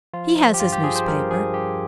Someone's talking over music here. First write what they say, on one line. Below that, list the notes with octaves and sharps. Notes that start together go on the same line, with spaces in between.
He has his newspaper.
F3 F4
F3
G4
G2 F4
G4
F3 G#4
C5
G2 A#4
F3 G#4
G2 G4